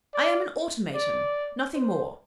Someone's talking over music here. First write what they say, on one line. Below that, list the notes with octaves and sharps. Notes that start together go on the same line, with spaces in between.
'I am an automaton--nothing more.
D5
D5
C5